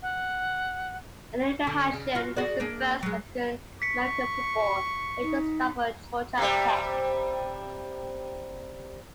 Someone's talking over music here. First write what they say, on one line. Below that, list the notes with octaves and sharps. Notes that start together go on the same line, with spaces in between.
Eddie McAshan was the first African American football player to start for Georgia Tech.
F#5
D3
C#3
F4 F#4
F#4 G#4 D5
A#3 D4 G#4
F#3 G#3
C#6 B6 C#7
D#4
C3 G3